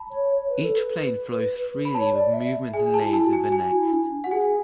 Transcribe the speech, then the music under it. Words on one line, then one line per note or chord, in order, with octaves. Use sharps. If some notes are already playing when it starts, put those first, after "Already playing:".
Each plane flows freely with movement and layers with the next.
Already playing: A5 B5
C#5
C#5
B4
A4
B4
B5
C#5 A5
D5
E5
G#4 G#5
A5
E4
A5
F#4
G#5
F#4 G#5
E4
D4
F#4 F#5
G#4 G#5